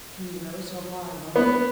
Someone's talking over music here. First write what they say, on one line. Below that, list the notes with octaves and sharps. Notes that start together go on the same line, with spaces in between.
"Can you row so far alone?"
B3